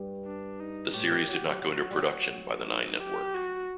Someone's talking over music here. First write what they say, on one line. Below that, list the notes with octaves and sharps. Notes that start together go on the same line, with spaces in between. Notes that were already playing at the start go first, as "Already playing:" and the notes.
The series did not go into production by the Nine Network.
Already playing: G2
D4
D#4
A2 G4
D#3
F#3
F#3
F#3 F#4
G3
F#3
D#4
G4
F#4